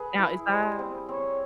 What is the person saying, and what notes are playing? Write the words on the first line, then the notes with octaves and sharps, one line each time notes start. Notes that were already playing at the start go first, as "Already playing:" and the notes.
Now, is that
Already playing: G#4 B4
E4
G3 C5
C4
C4 C#5